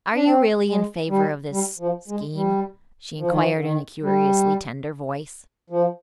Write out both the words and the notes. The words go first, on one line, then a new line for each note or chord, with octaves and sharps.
"Are you really in favor of this--scheme?" she inquired, in a curiously tender voice.
D4
C4
G#3
G3
G3
F3
G#3
G3
F3
D#3
F3
D3
D#3
G3
F3